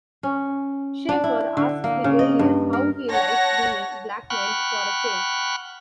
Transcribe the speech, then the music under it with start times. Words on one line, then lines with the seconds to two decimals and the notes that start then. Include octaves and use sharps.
Shaeffer asks the alien how he likes being blackmailed for a change.
0.23 C#4
1.09 D4
1.24 E4
1.57 D3
1.84 A#3
2.04 C#3
2.19 D#5
2.39 G2
2.73 A#4
3.11 C#5 F#5 A5 A#6
4.30 F#5 G5 B5 C#6 F6 F#6